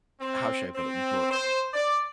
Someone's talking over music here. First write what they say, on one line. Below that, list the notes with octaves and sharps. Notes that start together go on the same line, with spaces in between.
how should I put it? Gr
C4
C4
C5
D5